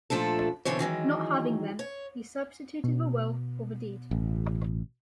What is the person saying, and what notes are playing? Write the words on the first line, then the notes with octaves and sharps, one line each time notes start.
Not having them, he substituted the will for the deed.
A#2 F3 A3 D4 A4
G2 B2 D3 E3 C4 C#5
D#3 E3 F#3 G#3
C#5
B2
A1